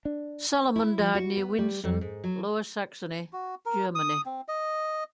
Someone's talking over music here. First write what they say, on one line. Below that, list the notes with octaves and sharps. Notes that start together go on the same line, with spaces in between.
Salomon died near Winsen, Lower Saxony, Germany.
D4
E4
F3
F#4
B3
G3
F2
G#2
F#3
F#4
A#4
D#6
C4
D#5